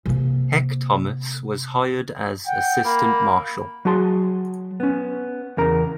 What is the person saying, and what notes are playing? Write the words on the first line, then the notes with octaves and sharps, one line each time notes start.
Heck Thomas was hired as assistant marshal.
C3 A#3
F#5 G5
A#3 B5
F#3 F#4 G#4 A5 C6
B3 C#4
E2 C#3 A#4 A#5